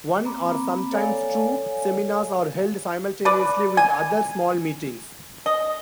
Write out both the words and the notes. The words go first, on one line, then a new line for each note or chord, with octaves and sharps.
One or sometimes two seminars are held simultaneously with other small meetings.
A#3 C4 A#5 B5 D6
A4 C#5 D5 F5 G#5
B4 D5
G#5
D#5